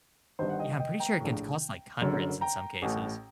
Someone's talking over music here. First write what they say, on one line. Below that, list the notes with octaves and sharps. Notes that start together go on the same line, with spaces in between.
Yeah, I'm pretty sure it can cost like hundreds in some cases.
G1 G2 D#3 C5 D#5
F#5
D#5 G5
D#5 G5
G5 A#5
A#1 A2
F#1 F#2 D3
G5 A#5
A1 A2